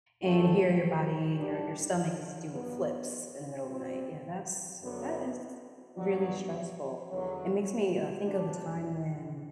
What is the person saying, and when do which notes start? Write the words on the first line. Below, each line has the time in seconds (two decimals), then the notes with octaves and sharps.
and here, your body and your your stomach is doing flips in the middle of the night. Yeah, that's that is really stressful. It makes me, uh, think of a time when
0.20 F#2 D3 A3 C4
1.35 A2 G3 D4 G4
2.50 G2 F#3 B3
3.65 B2 G3 C4 E4
4.81 F#2 D3 F#3 B3
5.96 G2 F#3 B3 D4 F#4
7.10 E2 D3 F#3
8.26 D2 C3 G3 D4